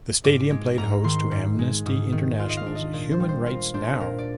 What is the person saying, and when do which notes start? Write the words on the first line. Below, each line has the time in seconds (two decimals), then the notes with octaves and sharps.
The stadium played host to Amnesty International's Human Rights Now!
0.24 G#2 D6
0.51 G#3
0.78 G#2 A#5
1.04 D#3 C6
1.31 G#2
1.59 G#3
1.86 G#2 D#6
2.12 D#3
2.40 F4
2.49 D#5
2.57 F5
2.66 D4
2.75 D#5
2.93 A#2 D5
3.11 C5
3.20 G3
3.29 C5
3.46 F4 A#4
3.74 D4 C5
4.00 A#2 A#4
4.18 D5